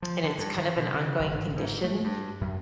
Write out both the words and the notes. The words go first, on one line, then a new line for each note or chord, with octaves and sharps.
and it's kind of an ongoing condition,
F3
D3
G2
D#3
B2
C#3
F#1
G#1
G#2
A3
G2
F#2